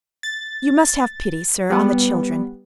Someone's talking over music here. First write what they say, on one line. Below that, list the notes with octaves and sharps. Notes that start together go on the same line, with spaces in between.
You must have pity, sir, on the children.
A6
G3 B3